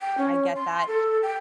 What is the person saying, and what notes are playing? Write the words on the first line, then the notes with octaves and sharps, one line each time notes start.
I get that.
G5
C#4
C6
A4
G5